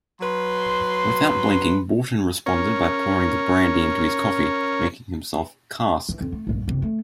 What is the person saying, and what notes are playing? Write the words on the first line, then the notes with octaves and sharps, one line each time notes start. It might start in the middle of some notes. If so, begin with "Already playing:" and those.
Without blinking Borten responded by pouring the brandy into his coffee, making himself "karsk".
F#3 B4 C6
C#4 A#4 C#5
E3
F2
A3
A#1 G2
F#1 C3
A3